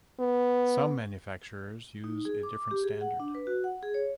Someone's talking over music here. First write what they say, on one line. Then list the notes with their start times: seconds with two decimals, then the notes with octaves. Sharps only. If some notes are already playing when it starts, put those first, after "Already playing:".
Some manufacturers use a different standard.
0.20 B3
2.04 D#4
2.25 G#4
2.43 D6
2.71 G4
2.83 G#4
3.01 F#5
3.20 D4
3.35 B4
3.47 F#4
3.64 F#5
3.83 G#4
3.94 C#5